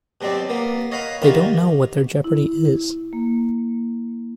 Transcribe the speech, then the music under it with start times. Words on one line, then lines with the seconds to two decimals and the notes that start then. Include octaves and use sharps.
They don't know what their jeopardy is.
0.21 B2 F#3 G3 C4 D5
0.49 A#3 B3
0.92 C#5 D#5 F5 F#5 A#5 B5
1.22 D#3 G3 F4 F#4
2.24 E4
3.13 A#3